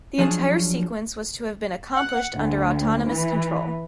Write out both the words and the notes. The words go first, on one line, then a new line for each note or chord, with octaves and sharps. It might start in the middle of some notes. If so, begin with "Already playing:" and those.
The entire sequence was to have been accomplished under autonomous control.
F3 F#3 C#4 D4 G#4
F#5
D2
E3